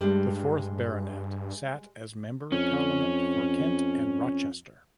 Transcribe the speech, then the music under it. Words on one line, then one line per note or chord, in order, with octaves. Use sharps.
The fourth Baronet sat as Member of Parliament for Kent and Rochester.
G2 G3 G#3 D4
F2 C#4